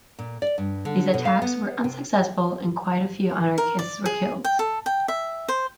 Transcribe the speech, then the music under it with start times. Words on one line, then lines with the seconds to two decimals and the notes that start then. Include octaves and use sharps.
These attacks were unsuccessful and quite a few anarchists were killed.
0.19 A#2
0.42 D5
0.58 G2
0.85 D3
1.14 B2
1.25 F5
1.42 B3
1.84 C3
3.58 A#4
3.79 D5
4.06 G#4
4.44 G5
4.59 A4
4.86 G5
5.08 E5
5.48 C5